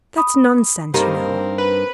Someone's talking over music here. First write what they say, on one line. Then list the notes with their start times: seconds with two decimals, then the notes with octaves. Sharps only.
"That's nonsense, you know."
0.18 B5 D#6
0.94 G2 A#3 C4 D#4 G4 A#4
1.58 B4